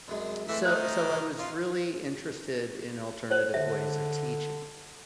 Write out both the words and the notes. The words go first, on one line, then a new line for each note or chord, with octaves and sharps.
So so I was really interested in alternative ways of teaching.
C2 F#2 G#3
E3 A3 C4 E5
D#3 D#4 C5
C2 D6
C#4 F4
C5 C#5
D3 E5